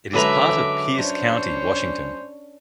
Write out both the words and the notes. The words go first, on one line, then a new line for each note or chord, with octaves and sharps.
It is part of Pierce County, Washington.
F#2 D3 G#3 A4 B4 E5 A#5 D6
C#4 D4 C5 C#5